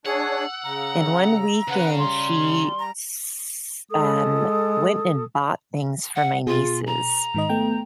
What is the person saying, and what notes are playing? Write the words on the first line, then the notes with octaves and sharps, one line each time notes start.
and one weekend, she's um, went and bought things for my nieces
D4 G#4 C#5 F#5 E6
C#3 A#5
C#3 B4 F#5
G3 C6
A#5
G#3 A4 D#6
F#5
B2 F4 G#4
A#5
G#2 D#3 D#5
A3 B3 G5